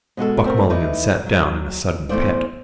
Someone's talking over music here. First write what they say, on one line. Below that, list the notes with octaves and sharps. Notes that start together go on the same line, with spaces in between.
Buck Mulligan sat down in a sudden pet.
B2 G#3 F#4 A4
A3 C4 F#4 A#4
E3 D#4 E4 D5
F#3
E2 B2 A3 C5 D5